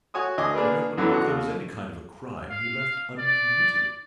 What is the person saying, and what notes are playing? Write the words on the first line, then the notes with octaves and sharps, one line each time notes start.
I don't believe there was any kind of a crime he left uncommitted.
F#4 C#5 G#5 D#6
D2 D#5 G#5 D6
A#3 D4 G#4 A#4 B4
F#2 D3 E3 F#3 B3
G#1 D3 F#4 F#5
D#2
F5
D5